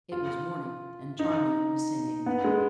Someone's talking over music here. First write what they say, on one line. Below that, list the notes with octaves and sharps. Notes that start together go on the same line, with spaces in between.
It was morning, and Charmian was singing.
F4
D#4
B3
G#3